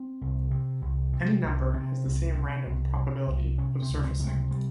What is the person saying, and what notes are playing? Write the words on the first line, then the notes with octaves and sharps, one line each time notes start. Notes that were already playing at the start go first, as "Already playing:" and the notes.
Any number has the same random probability of surfacing.
Already playing: C4
C2
C3
C2
C3
C2
C3 C4
C2
C3
C2
C3
C2
C3 C#4
C4
C#2
C4
C3
G#3
G3